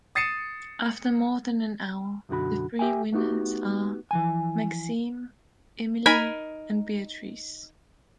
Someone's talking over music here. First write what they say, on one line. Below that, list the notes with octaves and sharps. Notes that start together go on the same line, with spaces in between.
After more than an hour, the three winners are Maxime, Emilie, and Beatrice.
D#6 A6 C7 C#7 D#7 E7
B1 F#2 D3 F#4 B5
G4 E5 G5 G#5
A3 B3 D#4 F#4 G4
E3 F3 G#5
D#4 A#4 G#5 B5